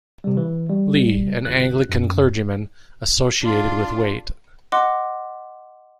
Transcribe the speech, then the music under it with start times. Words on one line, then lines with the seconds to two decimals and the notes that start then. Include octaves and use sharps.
Lee, an Anglican clergyman, associated with Waite.
0.24 C3 G3
0.37 E3
0.69 G3
1.45 G1 F#6
1.89 F#2
3.42 D4 F4
4.72 D#5 F#5 C6 D6 F#6